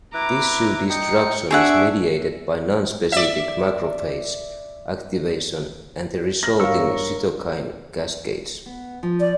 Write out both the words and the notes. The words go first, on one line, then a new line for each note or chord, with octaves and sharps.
Tissue destruction is mediated by non-specific macrophage activation and the resulting cytokine cascades.
E4 B4 A#5 D6
D#4 G5 C#7
D4 G#4 E5 F#5 C#6 D7
D5 E5
F6 A#6
G2 A#4 C#5 F5 E6
B3
F3
D5